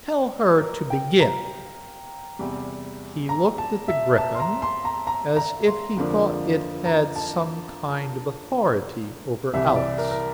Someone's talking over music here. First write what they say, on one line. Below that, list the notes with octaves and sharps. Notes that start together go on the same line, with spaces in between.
Tell her to begin.' He looked at the Gryphon as if he thought it had some kind of authority over Alice.
A#4
G5
A#5
E2 C3 G3
A#5
A5
E5
A5
C6
A#5
C6
A#5
A#5
A#5
C6
F2 D3 F3 A#3 D4
A#5
A5
C2 C3 E3 E5
D5
A#4
A#4